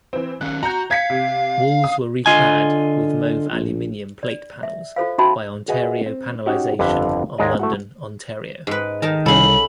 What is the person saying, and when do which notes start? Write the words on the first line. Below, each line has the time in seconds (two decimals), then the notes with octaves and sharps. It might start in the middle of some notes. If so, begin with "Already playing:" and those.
Walls were reclad with mauve aluminum plate panels by Ontario Panelization of London, Ontario.
0.13 E3 C4
0.41 D#3 C#4 F#6
0.63 F#4 A#5 G6
0.91 F5 G#6 B6 C#7
1.10 C3
1.84 D#6
2.26 D3 F4 D#5 G#5
3.51 A#1
4.23 D5
4.63 E5
4.96 F4 A4 C5 F5
5.18 C#4 D#4 F#4 E5 A5 B5
5.68 F#4 G#4 B4 D#5 E5
6.06 C4
6.46 C#4 D#4 F#4 G4
6.79 G1 F2 D3 E5
7.38 D#2 G#2 G#3 G#4 D5 D#5
7.59 A3 E4 F#4
8.67 G#2 B4
9.02 D#3 D#4 A#4 A5
9.26 C2 C#3 A4 B5